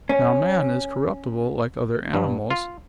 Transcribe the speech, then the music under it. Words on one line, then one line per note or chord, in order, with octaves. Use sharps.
Now man is corruptible like other animals.
C#4
G2
F4